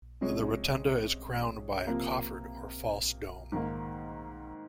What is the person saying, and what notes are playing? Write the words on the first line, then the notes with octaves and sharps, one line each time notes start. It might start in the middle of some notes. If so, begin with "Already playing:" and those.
The rotunda is crowned by a coffered or false dome.
C3 F3 G#3 C#4
C3 F3 A#3
G#2 D#3 A#3